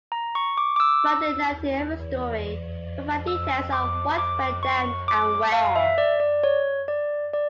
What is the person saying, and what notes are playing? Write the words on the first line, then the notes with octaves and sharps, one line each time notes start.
Friday narrated every story, providing details of what went down and where.
A#5
C#6
D6
D6
E6
E6
D6
D6
C#6
D6
F5
E5
D5
D5
C#5
D5
D5